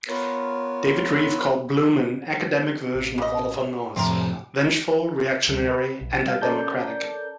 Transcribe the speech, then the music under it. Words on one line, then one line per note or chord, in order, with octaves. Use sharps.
David Rieff called Bloom "an academic version of Oliver North: vengeful, reactionary, antidemocratic".
B3 F4 A#4 B4 C#5
A1
C#3 D#5
F2 A2 C3 C4 D4 A#4
D2 G3
B4
B1
G3 F5
C#4 A4 A#4 D5 A5 G6